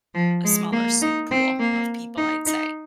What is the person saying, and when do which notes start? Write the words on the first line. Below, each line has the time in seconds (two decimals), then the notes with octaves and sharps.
a smaller s pool of people, I'd say.
0.14 F3
0.44 G#3
0.72 A#3
1.02 D#4
1.31 C4
1.60 A#3
2.17 D#4
2.46 D#4